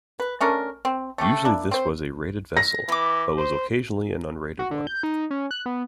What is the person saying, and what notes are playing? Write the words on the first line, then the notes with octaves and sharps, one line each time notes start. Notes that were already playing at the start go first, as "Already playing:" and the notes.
Usually this was a rated vessel, but was occasionally an unrated one.
B4
A3 C#4 D4 A#4
C4
A3 C#4 G4
A#3 D4 E4
C4 C5
A#6
E3 B5 D6
C5
F#4
D3
G6
D#4
C#4
F#6
B3